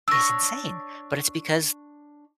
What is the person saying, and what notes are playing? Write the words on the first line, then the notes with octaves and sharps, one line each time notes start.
is insane, but it's because
D4 C#5 E6 A#6